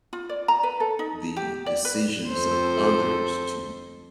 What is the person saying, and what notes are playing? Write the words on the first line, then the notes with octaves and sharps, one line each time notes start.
the decisions of others to
F4
D5
A#5
B4
A4
D#4
G4
D5
B4
F2 A4 C5